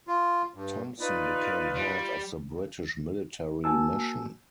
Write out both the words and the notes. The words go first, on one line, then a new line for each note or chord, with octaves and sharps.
Thompson became head of the British Military Mission.
F4
G2
D#4 F4 B4 D5
G3
A#3 F#4 G#5 A5 E6